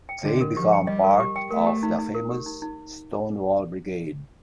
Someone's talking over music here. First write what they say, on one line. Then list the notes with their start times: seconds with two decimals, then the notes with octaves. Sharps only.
They become part of the famous Stonewall Brigade.
0.09 G5
0.24 D3 D#5
0.41 A#4
0.56 F3 G4
0.72 G5
0.87 G3 D#5
1.04 A#4
1.20 G4
1.36 G5
1.51 A3 A#4
1.66 G4
1.83 D#4
1.99 D#4
2.14 A#4
2.30 G4
2.46 D#4
2.62 D#4